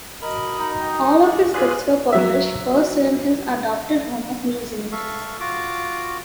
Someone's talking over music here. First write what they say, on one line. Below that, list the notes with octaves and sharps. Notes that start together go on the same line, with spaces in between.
All of his books were published first in his adopted home of New Zealand.
F#4 A#4 D#5 B5
D#4
G5
G#4 D5 C#6
F4 G#4 B4 D5 F5 G#5
F#3 E5
A4 E5 F5 C#6
F4 F#4 D6